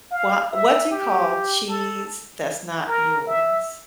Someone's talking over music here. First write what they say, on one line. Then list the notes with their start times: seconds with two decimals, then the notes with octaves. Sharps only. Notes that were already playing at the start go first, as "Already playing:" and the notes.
wha what do you call cheese that's not yours?
0.11 F5
0.51 E5
0.91 G4
1.69 A4
2.87 A#4
3.27 E5